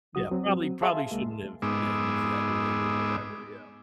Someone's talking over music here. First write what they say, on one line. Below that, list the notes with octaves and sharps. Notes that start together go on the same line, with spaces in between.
Yeah, probably probably shouldn't have, yeah, used that word or whatever, yeah.
C#2 F#3 F#4 D#6
F#3 C4
G#4 E5 F5 A5 C6
C2 G#3 A#3
G#2 G#3 B3 D#4 D6 E6